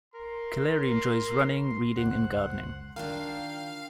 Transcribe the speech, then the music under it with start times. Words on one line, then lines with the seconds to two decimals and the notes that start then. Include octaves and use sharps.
Kaleri enjoys running, reading and gardening.
0.14 A#4 C6
1.97 C#2 F#2 C5 F#5 F#6
2.96 D#3 D4 F4 A#4 F5 G5